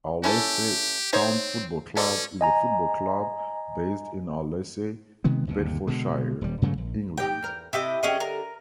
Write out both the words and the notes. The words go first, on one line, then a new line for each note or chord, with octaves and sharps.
Arlesey Town Football Club is a football club based in Arlesey, Bedfordshire, England.
C#4 E4 G4 A4
C4 D#4 C5 C#5
B2 C#4 A4 D5
D#5 G#5 A#5
C3 D#3 G#3 B3
G1 D#2 C3
B2 D3 G#3
D#1 G3
G2 C#3 F#3 A3
A#1
D#4 G4 G5
E2 A#4
C3 E4 G4 D#5
D3 C#4 G4 G#4 D#5
A#4